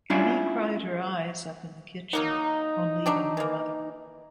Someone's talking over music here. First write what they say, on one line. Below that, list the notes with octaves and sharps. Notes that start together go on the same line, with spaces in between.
Annie cried her eyes up in the kitchen, on leaving her mother.
C#4 D4 E4 F4
F#3 A#3 D#4 F#5
F#3 D4 G4
E3 A#3